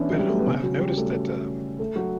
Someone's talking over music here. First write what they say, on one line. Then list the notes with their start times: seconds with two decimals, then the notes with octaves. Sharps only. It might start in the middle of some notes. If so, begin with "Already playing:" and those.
but at home, I've noticed that, um,
Already playing: E3 B3 C#4 D4 E4
0.10 F#3
0.19 G3
0.29 A3
0.39 B3
0.47 C#3 C#4
0.63 F#3 F#4
0.80 G3 G4
0.97 A3 A4
1.79 A3 A4
1.96 F#3 F#4